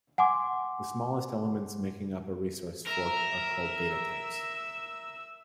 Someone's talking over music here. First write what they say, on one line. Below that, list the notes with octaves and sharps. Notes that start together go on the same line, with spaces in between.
The smallest elements making up a resource fork are called data types.
F#5 G#5 C6 D6
A#4 E5 E6